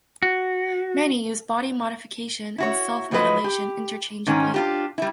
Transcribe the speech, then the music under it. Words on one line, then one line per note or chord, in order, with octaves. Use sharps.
Many use body modification and self-mutilation interchangeably.
F#4
E4 F#4 C#5
G#2 F3 F#3 G4 B4 D#5
G4
G#2 D#3 C#4
D4 F4 G4
G3 E4